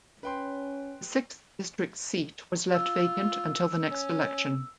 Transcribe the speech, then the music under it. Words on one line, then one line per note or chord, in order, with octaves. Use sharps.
The sixth district seat was left vacant until the next election.
C#4 B4 G5 C6
F4 E6
C#4